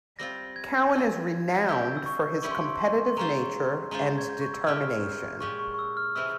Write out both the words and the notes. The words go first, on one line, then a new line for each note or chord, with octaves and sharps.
Cowan is renowned for his competitive nature and determination.
G3 C4 F4 A#6
G#6
G3 C4 F4
G#6
G3 C#4 E4 G4 G6
E6
C#6
G3 C#4 E4 G4 C#6
C6
C#6
C6
C6
G#3 C#4 F4 C5 A#5
G#3 C#4 F4 C5 A#5
G#6
G6
C#6
E6
A#2 G#3 C#4 G4 F6
A#2 G#3 C#4 G4 C#6
C#6
C#6
E6
F6
C3 E3 G#3 C4 E4 E6